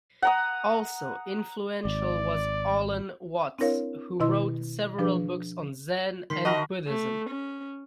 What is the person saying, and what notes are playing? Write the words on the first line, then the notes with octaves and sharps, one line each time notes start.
Also influential was Alan Watts, who wrote several books on Zen and Buddhism.
F#5 A#5 D#6
G#1 D5
C4 D4 E4 A#4 C#5 F5
B2 D#3 E4 D#5 C6 E6
F3 D4 G#4 B4
D#3 C6 B6 C7
F#4 A#4 D#5 E5 A5 B5
A3
C#4